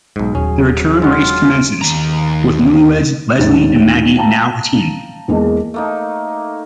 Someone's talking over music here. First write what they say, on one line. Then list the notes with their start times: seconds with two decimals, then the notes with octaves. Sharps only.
The return race commences, with newlyweds Leslie and Maggie now a team.
0.16 B1 G#2
0.35 D#1 F#3 C#4 G#4
1.02 G#3 F4 F#5
1.81 D#2 A#5
3.38 A1 D#2 G#2 D4 C#5 A6
4.16 F5 G5 A5 A#5
5.28 E2 G#3 A#3 G#4 D#5
5.74 A3 A#3 D#4